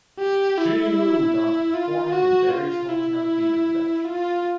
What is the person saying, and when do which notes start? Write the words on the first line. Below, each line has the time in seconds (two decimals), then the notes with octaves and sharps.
She moved on to performing in various hometown theater productions.
0.19 G4
0.58 E4
1.74 F4
2.13 F#4
2.50 F4
2.89 E4
4.05 F4